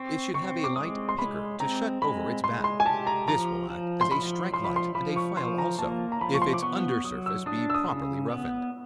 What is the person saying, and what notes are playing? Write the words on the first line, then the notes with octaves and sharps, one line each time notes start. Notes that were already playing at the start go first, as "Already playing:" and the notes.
It should have a light "picker" to shut over its back; this will act as a strike-light, and a file also, if its under surface be properly roughened.
Already playing: C4 C#6
C4 C#6
D6
G#3 D#6
C6
G#3 B5
C4 A#5
G#3 B5
G#3 C6
C6
G#5
G4 A5
A#5
F3 A#5
F3
C6
F3 B5
F3 C6
B5
C6
F3 B5
C#6
F3 C6
A#5
A#3 A5
A#5
F3 B5
C#6
C6
D6
B3 C#6
F#3 D#6
E6
D4 D#6
E6
D#6
C#3
B3